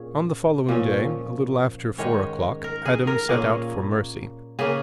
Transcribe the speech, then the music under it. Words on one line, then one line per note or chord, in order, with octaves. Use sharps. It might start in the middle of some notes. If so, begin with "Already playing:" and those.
On the following day, a little after four o'clock, Adam set out for Mercy.
Already playing: A#2 C#4 G#4
A#2 F3 C#4
G#2 D#3 G#3 C#4 C#5
A#4
G#4
A#4
A#2 A#3 C#4 G#4
C#3 A#3 C#4 G#4